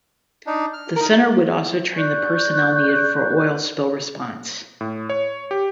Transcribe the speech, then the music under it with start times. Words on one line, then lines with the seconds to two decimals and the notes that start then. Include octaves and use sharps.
The centre would also train the personnel needed for oil spill response.
0.47 D4 D#4
0.73 F6
0.96 D#4 A#4
1.95 D5 C#6 F#6 G6
4.81 A2
5.10 C#5
5.51 G4